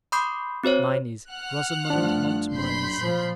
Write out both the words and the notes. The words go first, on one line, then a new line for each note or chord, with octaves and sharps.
Mine is Rosamond Montmorency.
B5 C6 D6 D#6 G6 C7
C4 F#4 C5 C#5
F#5 F6 F#6
G2 F3 A3 D4
F#1 B5 C6 G6
A#2 F3